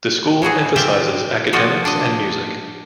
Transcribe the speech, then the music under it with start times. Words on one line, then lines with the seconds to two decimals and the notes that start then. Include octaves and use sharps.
The school emphasizes academics and music.
0.42 A2 E3 F#4 G#4
0.76 C4 F4 G4 E5 G5
1.53 F3 F4 F#4 D5 D#5
1.85 D4 D#5